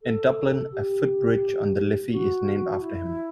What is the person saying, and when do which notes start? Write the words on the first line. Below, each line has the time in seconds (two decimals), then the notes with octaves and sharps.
In Dublin, a foot bridge on the Liffey is named after him.
0.02 A4
0.72 G4
2.11 F#4
2.79 E4